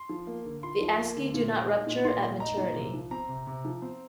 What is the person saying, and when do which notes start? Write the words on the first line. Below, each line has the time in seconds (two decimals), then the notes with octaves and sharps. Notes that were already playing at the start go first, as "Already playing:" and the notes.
The asci do not rupture at maturity.
Already playing: C6
0.09 F3
0.27 A#3
0.45 D3
0.63 F4 C6
0.81 F3
0.98 A#3
1.16 D3
1.34 A#2
1.52 A3
1.70 D#4
1.87 A#2
2.05 A#2 C6
2.22 A3
2.40 D#4 A#5
2.57 A#2
2.76 C3
2.94 F3
3.11 C4 A#5
3.29 C3
3.47 C3
3.65 F3
3.82 C4